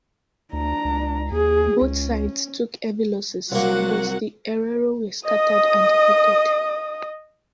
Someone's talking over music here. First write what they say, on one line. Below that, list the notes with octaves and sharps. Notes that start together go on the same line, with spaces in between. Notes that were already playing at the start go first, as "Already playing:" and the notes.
Both sides took heavy losses, but the Herero were scattered and defeated.
D2 D4 A#5
C#2
D#2 G#4
C#2 C#4
C2 F#3 A#3 F#4 F#5
D#5 D#6